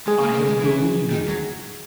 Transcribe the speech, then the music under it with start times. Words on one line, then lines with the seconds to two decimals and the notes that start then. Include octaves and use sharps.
I have believed in it.
0.07 G#3 G#4
0.20 A#3
0.33 A#3
0.46 G#3
0.59 E3
1.11 D#3
1.28 F#3